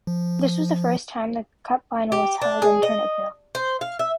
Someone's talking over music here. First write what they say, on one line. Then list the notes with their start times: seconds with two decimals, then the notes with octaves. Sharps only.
This was the first time the cup final was held in Ternopil.
0.07 F3
2.12 G4
2.42 D4
2.62 G#4
2.83 D#5
3.55 C5
3.81 F5
3.99 E5